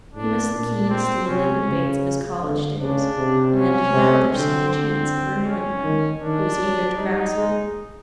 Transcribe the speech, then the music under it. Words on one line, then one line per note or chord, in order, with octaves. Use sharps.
He missed the keen, stimulating debates of his college days and, now there seemed a chance of renewing them, he was eager to grasp it.
A2 D4
A#2 D4
C4
C3 C#4
C#3
D3
C#3 D4
C3
C#4
C3
D3 C4
C4
C#4
D#3
D#3 D4
F#3
G3 D#4
G#3